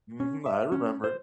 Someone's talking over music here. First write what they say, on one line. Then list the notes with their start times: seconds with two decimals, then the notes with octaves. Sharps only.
Mhm, I remember.
0.20 C#4
0.46 E5
0.72 C#4
1.04 C5